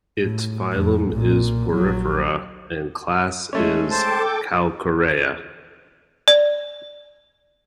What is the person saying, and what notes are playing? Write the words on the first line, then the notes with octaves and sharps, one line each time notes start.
Its Phylum is Porifera and Class is Calcarea.
A2
F2 A2
B1 A#2
A#1 F#3
G#3 A3 C#4
A4 C5 G5 A5 D6
D5